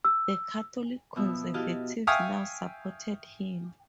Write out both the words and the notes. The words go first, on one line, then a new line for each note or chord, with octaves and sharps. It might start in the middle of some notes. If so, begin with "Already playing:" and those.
The Catholic Conservatives now supported him.
E6
B2 F3 E5
E4 F#4 G4 D#5 F5 A5
E5 F5 G5 G#5 C#6 D#6